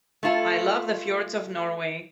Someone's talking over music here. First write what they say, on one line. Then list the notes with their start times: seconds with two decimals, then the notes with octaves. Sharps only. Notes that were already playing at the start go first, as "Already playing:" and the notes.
I love the fjords of Norway.
0.23 A3 E4 F4 A4